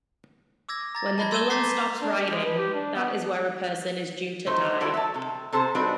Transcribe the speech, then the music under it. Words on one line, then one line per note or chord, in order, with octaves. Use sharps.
When the Dullahan stops riding, that is where a person is due to die.
D6 E6 G#6 A#6
A#5 A6 A#6
A5 B5 G#6
C6 E6 G#6 D#7 E7 G7
A#5 D6 G6 A6 B6 C7
D4
G4
G#3
B4
G4
D4
B3
D#3 G#3 A3 D#4 C5
G3 E4 F#4 A4 D5
E5 A5
C3 A4
C3 A4 C5 A5 A#5
G3 C4 D4 D#4 F#4 B4